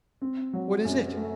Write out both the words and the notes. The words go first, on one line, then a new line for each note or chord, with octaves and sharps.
"What is it?"
C4
F#3
F#2
A3